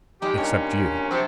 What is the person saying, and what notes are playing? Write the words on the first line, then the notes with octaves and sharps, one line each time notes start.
"Except you."
G3 G#3 D#4 G4
A#2 C#4 D4
C3 F#3 G4 A5